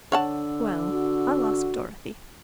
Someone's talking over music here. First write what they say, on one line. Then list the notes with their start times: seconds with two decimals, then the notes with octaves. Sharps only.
"Well, I'll ask Dorothy."
0.12 D3 C#5 F#5 A5
0.91 F#4